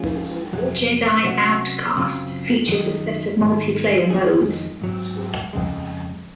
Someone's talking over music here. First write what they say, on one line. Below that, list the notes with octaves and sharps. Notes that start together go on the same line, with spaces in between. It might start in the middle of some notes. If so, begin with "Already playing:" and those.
"Jedi Outcast" features a set of multiplayer modes.
Already playing: F3 G#3 C#4 F4 G#4
F2 C3 F#3
C3 F#3 C#4 F#4
F#2 C#3 F#3 C4 F4
F#2 D#3 F#3 C4 D#4
G#2 D#3 G#3
F2 D#3 G#3 D#4 G#4
G#2 F#3 C4
F2 C#3 G#3